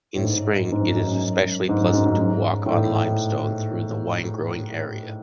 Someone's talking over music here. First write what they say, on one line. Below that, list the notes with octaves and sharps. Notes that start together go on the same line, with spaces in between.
In spring it is especially pleasant to walk on limestone through the wine-growing area.
A2
G#2
G#2
F#2
F#2
G#2
F#2
G#2
F#2
G#2
A2